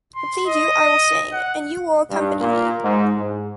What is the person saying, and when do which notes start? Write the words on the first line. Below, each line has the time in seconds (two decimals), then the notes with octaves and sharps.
To please you, I will sing, and you will accompany me.
0.16 C6
0.46 D#5
1.33 F#5
2.09 G2
2.40 A#2
2.84 G#2
3.18 G#2